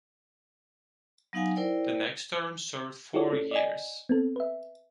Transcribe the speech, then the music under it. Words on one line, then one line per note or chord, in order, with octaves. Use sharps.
The next term served four years.
F#3 B3 D#4 F5 F#5 G#5
E4 A#4 C5 D5 G5
E4 F4 G4 G#4 C#5 D5
C#4 A4
D5 D#5 G#5
B3 C4 A4
B4 E5